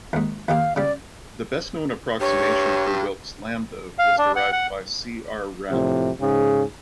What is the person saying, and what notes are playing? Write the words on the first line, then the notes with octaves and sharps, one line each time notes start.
The best-known approximation for Wilks' lambda was derived by C. R. Rao.
D#2 G#2
D#2 D#3 G4 F5
C#3 G3 D5
G2 C#5
F5
D4
F#5
F#5
A2 C3 F3
G#2 C#3 G#4